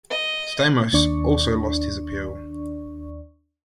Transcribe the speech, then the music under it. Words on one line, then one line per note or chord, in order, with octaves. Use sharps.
Stamos also lost his appeal.
D#5
D#2 D4 D5 C#6